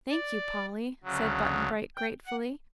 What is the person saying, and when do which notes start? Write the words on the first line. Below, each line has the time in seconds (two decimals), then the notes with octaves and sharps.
"Thank you, Polly," said Button-Bright gratefully.
0.10 D5
1.04 D2 C#3 F#3
1.97 G5
2.27 F#5